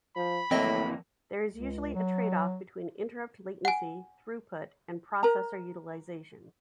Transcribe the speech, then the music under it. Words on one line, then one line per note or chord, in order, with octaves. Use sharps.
There is usually a trade-off between interrupt latency, throughput, and processor utilization.
F3 B5
F2 A2 E3 A#3 C4 D#5 A#6
C#2
F#3
F#5 G#5
A#4 A#5